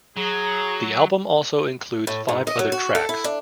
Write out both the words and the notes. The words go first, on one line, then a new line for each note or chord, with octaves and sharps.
The album also includes five other tracks.
F#3 G#4 A#5
A2
G#2
D#5
F#3
F#4
A4
E4
D4